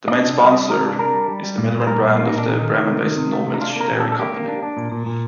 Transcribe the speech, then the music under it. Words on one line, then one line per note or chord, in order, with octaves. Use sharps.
The main sponsor is the Milram brand of the Bremen based Nordmilch dairy company.
D5
D4 D#5
C3
G3 F5
D#5
D4
C3 A#4
D4
D4 A#4
G3
G3
G3
A#2
A#2
C5
G3 A#4
A#2
A#3 F4
A#2 D#4
D4
C3 D#4
D#3
A3
C3
D#3
C3
A3
C3
D#4
D4 F4
A#3 A#4
A#2
A4
D4
A4
A#3 G4
A#3
D4
D4
A#2
A#2
A#2